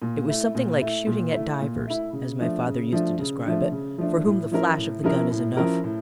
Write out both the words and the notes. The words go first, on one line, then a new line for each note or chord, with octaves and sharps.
It was something like shooting at divers--as my father used to describe it--for whom the flash of the gun is enough.
A#2
A3 E4
A#2
A3 E4
A#2
A3 E4
A#2
A3 E4
C#3
F3 A3 D4
C#3
F3 A3 D4
C#3
F3 A3 D4
C#3
F3 A3 D4
A2
F3 C#4 E4 A#4
A2
F3 C#4 E4 A#4
A2
F3 C#4 E4 A#4
A2